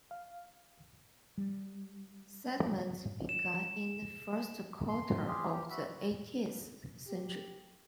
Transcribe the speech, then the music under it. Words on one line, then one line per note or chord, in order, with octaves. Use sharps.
Settlement began in the first quarter of the eighteenth century.
F5
G3
E7
C6
F4 G4 G#4
G4
F#4 E5 B5
G4